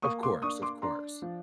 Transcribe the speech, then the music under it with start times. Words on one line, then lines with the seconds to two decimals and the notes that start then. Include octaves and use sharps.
Of course, of course.
0.02 A#3 C#6 D#6
0.23 C6 D6
0.42 D4 C#6 D#6
0.62 C6 D6
0.82 D4 A#5 C6
1.22 F3